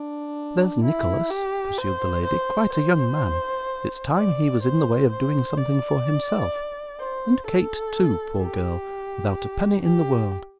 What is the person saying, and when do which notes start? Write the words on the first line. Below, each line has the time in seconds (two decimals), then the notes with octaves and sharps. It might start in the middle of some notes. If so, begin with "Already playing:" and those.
'There's Nicholas,' pursued the lady, 'quite a young man--it's time he was in the way of doing something for himself; and Kate too, poor girl, without a penny in the world.
Already playing: D4
0.84 E4
1.30 G4
1.78 C5
2.25 C5
2.72 C5
4.16 D5
4.62 C5
5.10 C5
5.57 D5
7.00 C5
7.46 A4
8.41 G4
9.83 G4